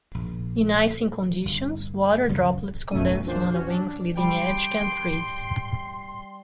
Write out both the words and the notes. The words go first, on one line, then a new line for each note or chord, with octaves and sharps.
In icing conditions, water droplets condensing on a wing's leading edge can freeze.
A#1
G1
C#2 F#2 C#3 E3
G#1 F#2 B2 A3 C#4 D#7
E2 A#2 D4 C5
C#4 F#4
D4
G3 G5 C6